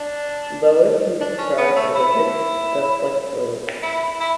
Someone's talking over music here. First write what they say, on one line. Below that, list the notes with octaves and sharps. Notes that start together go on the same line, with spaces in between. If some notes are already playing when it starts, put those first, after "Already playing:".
Loess can be described as a rich, dust-like soil.
Already playing: D4
D4
C#4
B3
A3
E4
E4
E4